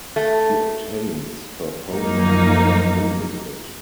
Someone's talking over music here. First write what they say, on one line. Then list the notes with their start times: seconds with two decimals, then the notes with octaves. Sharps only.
He obtains her phone number but loses it.
0.16 A3
1.89 F#2 F3 A#3 D#4